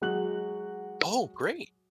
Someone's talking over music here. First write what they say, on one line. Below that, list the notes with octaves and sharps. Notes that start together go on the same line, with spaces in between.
Oh, great.
F#3 G#3 F#4 F#6 F#7